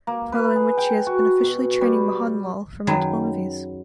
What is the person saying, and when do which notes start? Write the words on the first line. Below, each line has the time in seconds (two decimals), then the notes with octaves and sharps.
Following which he has been officially training Mohanlal for multiple movies.
0.07 A#3
0.32 B4
0.56 G#4
0.78 G5
1.07 F#4
1.44 B2
1.81 G3
2.87 F#2 D#3 F#3 B3 G#4